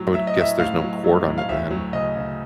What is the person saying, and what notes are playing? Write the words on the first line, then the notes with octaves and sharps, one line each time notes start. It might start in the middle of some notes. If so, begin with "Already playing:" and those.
I would guess there's no cord on it then,
Already playing: A2 F#3
F#3 E5
D#5
A2 E5
A2 F5
F#3
F#3
A2
F5
D2 E5
F#3
C#3 D#5
C#3